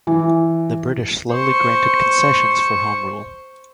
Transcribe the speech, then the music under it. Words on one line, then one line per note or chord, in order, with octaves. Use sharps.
The British slowly granted concessions for home rule.
E3
C5 C#6